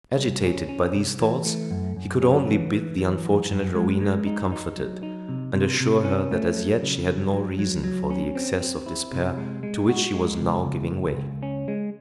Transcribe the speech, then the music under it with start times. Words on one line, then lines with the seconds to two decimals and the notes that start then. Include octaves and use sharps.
Agitated by these thoughts, he could only bid the unfortunate Rowena be comforted, and assure her, that as yet she had no reason for the excess of despair to which she was now giving way.
0.18 C2
0.44 C#4
0.69 C#4
0.94 C2
1.20 E3
1.45 A3
1.71 F#2
1.97 F#2
2.22 C#4
2.47 E3
2.73 E3
2.98 E3
3.24 F#2
3.50 F#2
3.75 G#3
4.01 G#3
4.27 D#4
4.52 D#4
4.77 F#3
5.03 D#4
5.29 C3
5.54 C3
5.80 C3
6.05 C#4
6.31 A3
6.56 F#3
6.82 C#3
7.07 F#3
7.33 F#3
7.59 F#3
7.84 F#3
8.10 C#4
8.35 C4
8.61 C4
8.86 E4
9.12 C3
9.38 G#3
9.63 G#3
9.89 F#4
10.14 G#3
10.40 C#2
10.65 C#2
10.91 C#2
11.17 C#2
11.43 C#4
11.68 G#3